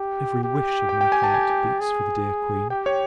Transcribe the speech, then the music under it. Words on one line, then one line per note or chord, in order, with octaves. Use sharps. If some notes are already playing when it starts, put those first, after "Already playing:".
Every wish of my heart beats for the dear Queen.
Already playing: G4
G4
G5
G5
G#5
A5
G#5
G#5
G#4
G4 G5
C#5